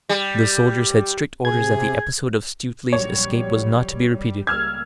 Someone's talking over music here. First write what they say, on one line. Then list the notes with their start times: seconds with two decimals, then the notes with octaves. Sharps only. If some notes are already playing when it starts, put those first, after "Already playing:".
The soldiers had strict orders that the episode of Stuteley's escape was not to be repeated.
0.09 G3
1.45 C3 G#4 G#6
2.93 A#1 F#3 G3 C#5
4.11 G3
4.47 C#2 G3 A#3 E6 F6 G#6